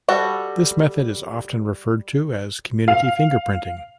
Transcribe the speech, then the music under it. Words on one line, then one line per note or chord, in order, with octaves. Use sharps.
This method is often referred to as community fingerprinting.
G3 F#4 A4
F5